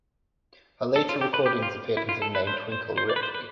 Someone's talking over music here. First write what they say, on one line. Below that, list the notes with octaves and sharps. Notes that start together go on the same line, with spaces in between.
Her later recordings appeared under the name Twinkle Ripley.
A4
F4
G4
B4
G4
F4
E4
F4
A4
B4
C5
C5
C5
D5
B4
C5
B4